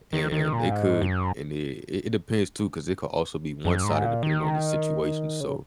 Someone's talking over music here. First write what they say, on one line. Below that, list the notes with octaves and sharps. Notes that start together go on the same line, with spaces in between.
and it could and it it depends too, 'cause it could also be one-sided depending on the situation, so,
D#3
D#3
A#2
G#2
F#2
F#2
G#2
A#2
D#3
C#3